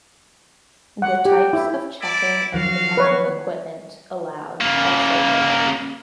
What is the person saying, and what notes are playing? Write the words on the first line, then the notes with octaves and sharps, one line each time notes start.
The types of checking and protective equipment allowed also vary.
F#5
G4
E4
E4 D5
D#3 F3 F#3 F#4 F5
B4 C#5
C#3 A#3